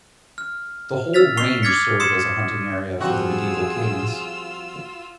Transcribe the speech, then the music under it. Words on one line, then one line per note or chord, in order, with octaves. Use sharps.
The whole range served as the hunting area for the medieval kings.
F6
E6 F6 A6 B6 F7
C#6 C7 F7 G7
D6 F6 G#6 A6 B6 C#7
C6 D#6 G#6 C#7 E7
F3 G3 C4 F4 F#4 G#4 E6